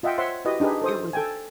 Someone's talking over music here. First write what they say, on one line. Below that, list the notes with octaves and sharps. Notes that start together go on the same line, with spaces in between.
it wasn't
F4 D#5 E5 F#5 G5
C5 C#5 E5 F#5 C6
E4 F#4 G4 B4 D#5
D4 D#4 G4 G#4 B4
A4 C5 D#6
A4 G5 G#5